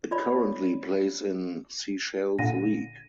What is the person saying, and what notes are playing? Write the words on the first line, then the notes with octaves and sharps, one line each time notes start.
It currently plays in Seychelles League.
F4 C#5 D5 B5
A#2 D3 A#6 D#7